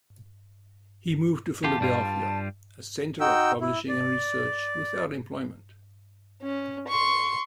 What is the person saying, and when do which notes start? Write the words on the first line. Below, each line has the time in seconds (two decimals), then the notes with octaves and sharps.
He moved to Philadelphia, a center of publishing and research, without employment.
1.64 E2 F4 G4 A5
1.80 G2 G3 F4
3.20 D#4 F#4 G5 E6
3.61 E4
3.88 D5
6.42 C#4
6.88 C6 C#6